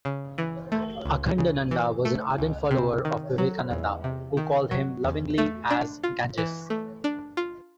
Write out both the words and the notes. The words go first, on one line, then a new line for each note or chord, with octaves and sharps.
Akhandananda was an ardent follower of Vivekananda, who called him lovingly as "Ganges".
C#3
E3
A3
C#2
C#3
E3
A3
C#2
C3
D#3
F#3
E2
C3
D#3
F#3
E2
A3
D4
F4
E3
A3
D4
F4